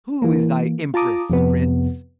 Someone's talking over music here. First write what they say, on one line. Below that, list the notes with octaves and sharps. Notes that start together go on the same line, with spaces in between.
Who is thy Empress, Prince?
E3 A#3
F4 A5 A#5 D6 D#6
F2 C3 B3